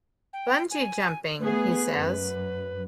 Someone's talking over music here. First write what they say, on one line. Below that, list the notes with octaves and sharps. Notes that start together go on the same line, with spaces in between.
"Bungee jumping," he says.
G5
G#5
A3 B3 G#4 B4
F#2